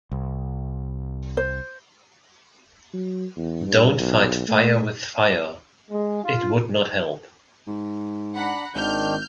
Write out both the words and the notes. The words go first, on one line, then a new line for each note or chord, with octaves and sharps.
Don‘t fight fire with fire, it would not help.
C2
C5
F#3
E2
G2
B1
A3
G#3
F4
G#2
D4 F#5 A#5 B5
G#1 D#3 D4 F6 G6